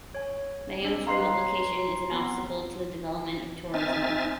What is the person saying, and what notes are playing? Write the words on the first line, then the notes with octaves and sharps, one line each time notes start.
Mayotte's remote location is an obstacle to the development of tourism.
C#5 G#5
C4 D4
B4 D#5 F5 A#5 C6 C7
C#5
B3 C4
C4 D#4 E5 G#5 F6 A6